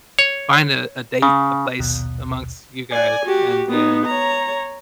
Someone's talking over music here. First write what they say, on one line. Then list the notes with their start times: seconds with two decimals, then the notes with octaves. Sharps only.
find a a date, a place amongst you guys and then
0.19 C#5
1.22 C#3
1.79 A#1 D#2 B2
2.92 D5 G#5
3.26 F#4 G4
3.69 B3 D#4
4.06 C#5 A#5